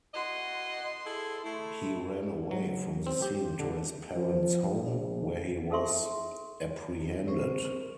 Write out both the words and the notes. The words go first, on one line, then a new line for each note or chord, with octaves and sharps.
He ran away from the scene to his parents' home, where he was apprehended.
E4 F#4 D#5 C6
E4 G#4 A4
A3 E4
F#3
C4
G4
D3
F3
A#1
D#4 G#4 A4 E5 C6 C#6
C4 G#4 A#4 C5 C#6